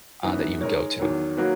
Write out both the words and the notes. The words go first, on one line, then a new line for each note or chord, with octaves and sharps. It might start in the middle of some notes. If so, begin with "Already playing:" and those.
uh, that you would go to?
F#2 E3 B3 D#4
G#3 D#4 A#4 C#5
E2 D#3 F#3
F#3 A#3 D#4 F#4 B4